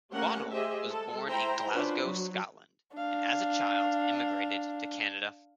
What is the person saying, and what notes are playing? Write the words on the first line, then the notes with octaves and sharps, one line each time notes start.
Waddell was born in Glasgow, Scotland, and as a child immigrated to Canada.
A3 A#3 C#4 G4 A#4 F#5
G4 G#4 C5 D#5 E5
G#3 A4
E4 C5 G5 A#5
C#4 D4 F4 F#4 B4 C5
F#3
D4 F5